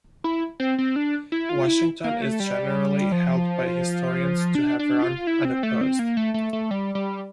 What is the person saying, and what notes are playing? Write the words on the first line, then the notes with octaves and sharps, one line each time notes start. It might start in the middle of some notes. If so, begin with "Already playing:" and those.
Washington is generally held by historians to have run unopposed.
E4
C4
C4
D4
E4
F4
E4
A#3
A3
G3
F3
D4
D4
F4
E4
C4
A3
C4
A#3
A3
A3
A3
G3
G3